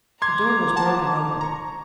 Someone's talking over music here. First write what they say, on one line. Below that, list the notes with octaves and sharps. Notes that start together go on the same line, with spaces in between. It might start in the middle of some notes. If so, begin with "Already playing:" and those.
The door was broken open.
A#5 C6 D6 G#6
F#5 A5
A#5 C#6